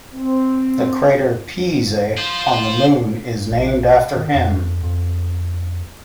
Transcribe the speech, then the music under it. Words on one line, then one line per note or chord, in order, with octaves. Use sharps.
The crater Pease on the Moon is named after him.
C4
F4 C5
A#1
D#3
F2
F2